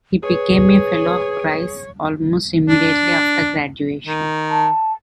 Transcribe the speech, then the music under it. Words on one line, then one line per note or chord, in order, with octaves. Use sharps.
He became a Fellow of Christ's almost immediately after graduation.
G#4 B4 C#5
D4
D#3
A5